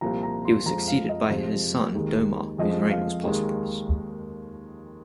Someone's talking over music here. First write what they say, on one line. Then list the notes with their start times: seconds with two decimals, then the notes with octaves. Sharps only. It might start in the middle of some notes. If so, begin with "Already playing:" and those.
He was succeeded by his son Domar whose reign was prosperous.
0.01 C2 A#2 F3 A#5
0.23 A#5
0.45 C6
0.65 F2 F3 G#3 A#5
0.88 F5
1.09 D#5
1.30 F2 C3 F3 G#3 C5
1.95 D#2 D#3 G#3
2.58 F2 F3 G#3 D#5
2.91 F5
3.24 D#2 D#3 G#3